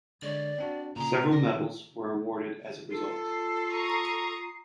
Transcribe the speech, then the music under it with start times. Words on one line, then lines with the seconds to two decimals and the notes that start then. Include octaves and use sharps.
Several medals were awarded as a result.
0.22 D3 G#3 C#5 D5
0.58 C4 D4 F#4
0.96 A#2 C#3 G#4 A#5
1.31 A#4 D5 A#6
2.91 F4 A4 C7
3.72 A#5 C#6 D#6